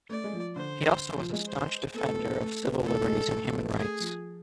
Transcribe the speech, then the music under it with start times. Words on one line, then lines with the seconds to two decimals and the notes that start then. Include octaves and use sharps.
He also was a staunch defender of civil liberties and human rights.
0.09 A3 D5
0.24 G#3
0.33 F3
0.56 D3 C5
1.17 F3
1.32 G#3
1.48 C5
1.94 B3 A4
2.05 A3
2.17 B3
2.28 B3
2.40 A3
2.63 B3
2.86 A3 A4
3.01 A3
3.08 G#3
3.31 A3
3.55 B3
3.77 A3 G#4
4.00 F3